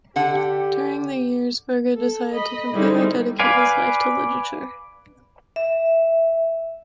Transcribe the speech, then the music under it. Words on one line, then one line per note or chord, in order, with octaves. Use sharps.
During the years Verga decided to completely dedicate his life to literature.
D3 G4 F#5
A4
D#5 B5
D3 G3 D#4 E4 G#4 C5
B4 D5 F5 G#5
E5